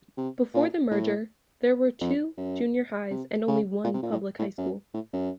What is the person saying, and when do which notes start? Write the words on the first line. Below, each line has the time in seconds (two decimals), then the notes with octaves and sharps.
Before the merger there were two junior highs and only one public high school.
0.17 C3
0.54 A#2
0.91 A2
2.01 F2
2.37 F#2
3.11 C3
3.48 C#3
3.84 A#2
3.94 C3
4.02 A#2
4.12 A2
4.39 A2
4.58 F#2
4.94 A2
5.13 F#2